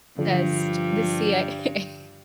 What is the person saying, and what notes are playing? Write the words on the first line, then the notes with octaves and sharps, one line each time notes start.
sessed The CIA A
G2 D3 F3